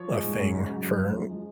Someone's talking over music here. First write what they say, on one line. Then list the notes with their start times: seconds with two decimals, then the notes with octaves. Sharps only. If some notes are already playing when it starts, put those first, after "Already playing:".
a thing for
Already playing: F3 C#5
0.09 G#3
0.24 G#2
0.39 G#2
0.54 C#3
0.69 F#3
0.84 F#2
0.99 F#2
1.15 F3
1.30 G#3